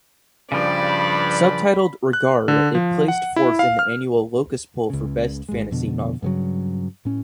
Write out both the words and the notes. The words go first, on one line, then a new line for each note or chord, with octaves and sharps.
Subtitled "Regard", it placed fourth in the annual Locus Poll for best fantasy novel.
G2 C#3 F3 D5 B5
F#6
D3
F3
F#5
E4
F5
F6
C#2 C#3
G#1 G#3
F2 B2 D3
G2 C#3 F#3
A2 C#4